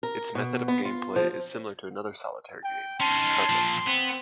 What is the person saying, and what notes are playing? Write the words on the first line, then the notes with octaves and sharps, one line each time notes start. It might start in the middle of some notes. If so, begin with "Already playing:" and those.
Its method of game play is similar to another solitaire game Carpet.
A#4
B2
B3
F4
F3
G5
C#4 D#4 A5 C6
A#2 F3
B3 C4